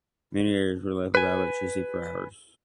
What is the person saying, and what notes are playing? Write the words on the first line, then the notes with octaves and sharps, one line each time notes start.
Many areas were left without electricity for hours.
B4 G#5